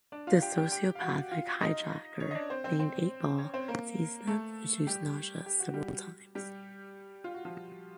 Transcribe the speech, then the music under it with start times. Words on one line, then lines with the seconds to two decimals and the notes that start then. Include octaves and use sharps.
A sociopathic hijacker named Eightball sees them and shoots Nadja several times.
0.12 D4 D5
0.27 F4 F5
0.42 G4 G5
0.57 G4 G5
0.72 G4 G5
0.95 F5
1.02 F#4 F#5
1.31 F4 F5
1.61 D#4 D#5
2.20 C#4 C#5
2.31 D#5
2.35 D4 D5
2.50 C4 C5
2.64 C4 C5
2.79 C4 C5
3.38 C#4 C#5
3.54 C4 C5
3.68 A#3 A#4
4.27 A3 A4
4.87 G3 G4
5.46 G4
5.60 F#4
5.74 G3 G4
6.35 G3 G4
7.24 F4
7.34 F#4
7.45 F3 F4